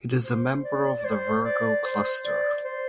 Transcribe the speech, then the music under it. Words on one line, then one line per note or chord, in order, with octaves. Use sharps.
It is a member of the Virgo Cluster.
C5
D5
D5
C5
D5
C5
D5
C5